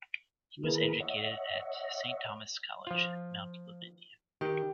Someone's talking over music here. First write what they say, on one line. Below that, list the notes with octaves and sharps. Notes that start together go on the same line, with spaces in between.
He was educated at S. Thomas' College, Mount Lavinia.
D#3 A#3 E4 G#4 A#4 B4
C#5 D#5 E5 F#5
F3 F4
D#3 G4